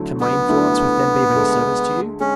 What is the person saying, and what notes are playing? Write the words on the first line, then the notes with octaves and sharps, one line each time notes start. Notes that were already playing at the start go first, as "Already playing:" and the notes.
"Can my influence with them be of any service to you?"
Already playing: D2 D3 F#3 A3 E4
B3
D2 D3 F#3 A3 E4
D2 D3 G#3
G#3 C#4